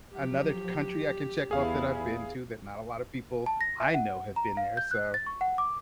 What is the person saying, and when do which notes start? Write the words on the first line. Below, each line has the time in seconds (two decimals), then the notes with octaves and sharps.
Another country I can check off that I've been to that not a lotta people I know have been there. So,
0.13 F3 F#3 G4
1.51 E2 E4 G#4 F5
3.46 A5
3.61 A#6
3.80 E5
3.94 F#5
4.36 A#5
4.57 F5
4.77 G6
4.91 F#6
5.14 A6
5.26 C#6
5.41 F#5
5.58 D6